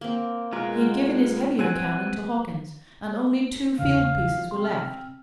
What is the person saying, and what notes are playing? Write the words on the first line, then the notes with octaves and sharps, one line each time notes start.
He had given his heavier cannon to Hawkins, and only two field-pieces were left.
A#3 C4
B2 G#3 F4 A#4
C4 F#5 G#5
E2 C#3 F5
C4 C6
F6